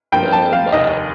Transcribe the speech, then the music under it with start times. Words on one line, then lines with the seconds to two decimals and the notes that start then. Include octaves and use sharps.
Oh, my,
0.12 G2 F3 A#3 G5
0.33 A5
0.53 F5
0.72 F1 D#2 D#3 D#5